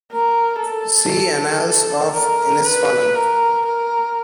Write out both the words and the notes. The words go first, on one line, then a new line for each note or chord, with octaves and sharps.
See Annals of Inisfallen.
A#4
A4
A#4
B4
A#4
A#4